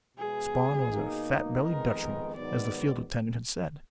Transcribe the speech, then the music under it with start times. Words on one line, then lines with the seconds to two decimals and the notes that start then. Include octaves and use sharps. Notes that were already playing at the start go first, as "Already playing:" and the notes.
Spawn was a fat-bellied Dutchman, as the field attendant had said.
0.17 B2 G#3 B3 G#4
0.91 B2 A#3 D#4
1.63 F2 D#3 G#3 B3 D#4 A#4
2.35 G#2 D#3 F#3 B3 D5